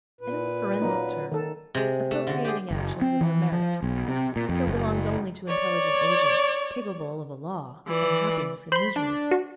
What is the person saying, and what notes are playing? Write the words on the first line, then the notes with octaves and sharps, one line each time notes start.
It is a forensic term, appropriating actions and their merit; and so belongs only to intelligent agents, capable of a law, and happiness, and misery.
A#2 B4
F#3 A#3 D#4
D#3 A4
C3 G#3
A3
D3 F#4
G4 G#4
F#1
C4
E3
F3
B1
C3
A#2
F2
F#1
C#5 D5
E3 D5
C5 B5 C6
D4
F#4